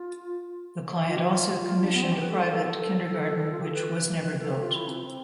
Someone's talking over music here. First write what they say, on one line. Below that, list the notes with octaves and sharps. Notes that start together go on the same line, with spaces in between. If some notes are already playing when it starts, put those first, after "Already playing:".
The client also commissioned a private kindergarten which was never built.
Already playing: F4
F4
G4
F4
D4
B3
C4
G4
B4
A4
G4
A4
F4
G4
A4
B4
A4
G4
F4
E4
C4